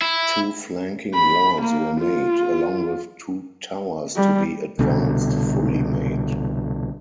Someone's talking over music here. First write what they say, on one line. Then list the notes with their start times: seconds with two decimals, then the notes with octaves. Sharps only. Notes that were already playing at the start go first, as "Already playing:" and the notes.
Two flanking walls were made, along with two towers to be advanced fully made.
0.02 E4
1.15 B5
1.62 A#3
2.01 F4
4.16 G3
4.79 C2 B2 D3